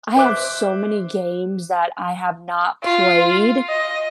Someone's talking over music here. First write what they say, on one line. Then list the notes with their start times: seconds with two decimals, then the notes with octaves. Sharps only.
I have so many games that I have not played.
0.17 C5 E5 D6 F#6
2.84 F4
3.69 D#5